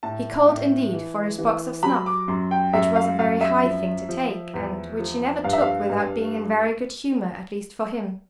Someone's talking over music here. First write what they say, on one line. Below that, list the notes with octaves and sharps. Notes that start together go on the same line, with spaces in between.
He called indeed for his box of snuff, which was a very high thing to take; and which he never took without being in very good humour, at least for him.
A2 A5
A2
E3
E3
F#3 B5
D6
F#2 C6
G5
F#2 E5
F5
F#2 F5
E5
F3
F3
E2
F3
G2 F5
E5
F5
G2